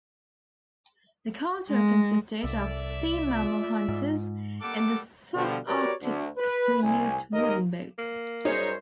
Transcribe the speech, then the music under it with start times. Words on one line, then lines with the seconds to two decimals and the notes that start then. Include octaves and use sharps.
The culture consisted of sea-mammal hunters in the subarctic who used wooden boats.
1.70 G#3
2.44 C2 A4 D5 E5
3.04 E4
3.35 F4
3.89 G#2
4.61 G3 A#3 A4 F#5 D6
5.35 B2 D3 F3 G3
5.68 F#4 G4 A#4 B4 C#5 D5
6.02 D2
6.38 B4
6.83 C2 G#5
7.33 D#2 A#4 D#5
7.98 A#3
8.45 F#2 G3 D#4 G#4 C5 C#5